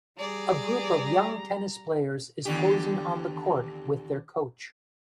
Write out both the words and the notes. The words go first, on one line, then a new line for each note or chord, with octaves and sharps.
A group of young tennis players is posing on the court with their coach.
G3 G#4 D5 A#5
D#2 D3 G4